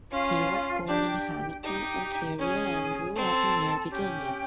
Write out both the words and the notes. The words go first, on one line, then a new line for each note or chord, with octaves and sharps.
He was born in Hamilton, Ontario and grew up in nearby Dundas.
C#4 F4 F5
D4 G4 G5
D#4 G4 G5
C#4 G#4 G#5
C4 A4 A5
C#4 G4 G5